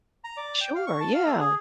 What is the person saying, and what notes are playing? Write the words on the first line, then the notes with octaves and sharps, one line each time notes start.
Sure, yeah.
A#5
D5
G5
F5
C#6
A5
F5
A3
G#4